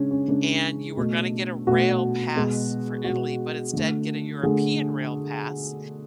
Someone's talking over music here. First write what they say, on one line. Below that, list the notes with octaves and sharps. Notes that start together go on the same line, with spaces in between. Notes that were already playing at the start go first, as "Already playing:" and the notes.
and you were gonna get a rail pass for Italy, but instead get a European rail pass,
Already playing: C#3 G#3 C#4 D4
C#4
C#3 G#3 D4
B2 A3
B2 A3 F#4
B2 G#3
B2 G#3 F#4
D3 A3
D3 A3 G#4